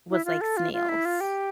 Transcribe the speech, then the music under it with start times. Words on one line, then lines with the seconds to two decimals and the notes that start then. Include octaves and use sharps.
was like snails.
0.10 E4
0.25 F4
0.41 A4
0.57 F4
0.73 F4
0.89 E4
1.05 F4
1.21 G4